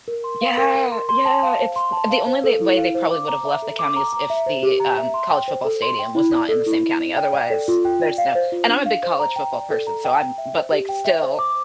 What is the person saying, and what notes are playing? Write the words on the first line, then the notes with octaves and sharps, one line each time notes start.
Yeah, yeah, it's the only they way they probably would’ve have left the county is if the, um, college football stadium was not in the same county, otherwise, there's no and I'm a big college football person, so I'm but, like, still
A#4
C6
F5
A#4
A#4
C6
C6
A5
F5
C5
C6
A5
F5
C5
A4
E4
F5
C5
D6
A#5
E5
A4
D6
A#5
A#5
E5
C5
G4
A#5
E5
C6
G5
C5
A4
C6
G5
E4
D5
A4
E4
E4
D5
G5
D5
A4
F4
G5
D5
F5
C5
F4
D4
F5
C5
A#5
G5
D5
A4
A#5
G5
G5
E5
C5
G4
G5
E5
C5
D6